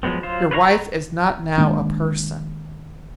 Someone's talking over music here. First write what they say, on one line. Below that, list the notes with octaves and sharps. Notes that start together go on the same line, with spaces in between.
Your wife is not now a person.
F3 F#3 G#3 B3 C4
F#3 F4 C5
B4 C#5 F5 A#5 C#6
D#3 G#3 A#3 D4